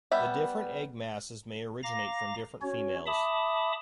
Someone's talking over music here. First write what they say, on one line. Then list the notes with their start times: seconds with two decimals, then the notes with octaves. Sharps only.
The different egg masses may originate from different females.
0.11 G3 B3 E5 B5
1.83 F5 A#5 D6 A#6
2.62 C#4 F#4 C#5
3.06 E5 A5 B5 D6 D#6